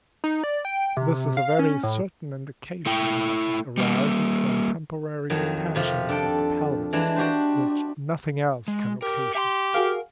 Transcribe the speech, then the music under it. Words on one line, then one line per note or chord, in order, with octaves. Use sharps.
This is a very certain indication, as it arises from temporary distensions of the pelvis, which nothing else can occasion.
D#4
D5
G5
C3
F5
C#4
A2
A3 E4 G5
G3 A#3
F2 D#3 F#3
F2 C3 F3
D4 A4 G5
E3 G#3 D4
D4 F#4 G4 C5
G#3
G4 A#4
G4 E5 C6
F#4 G#4 A#4 F5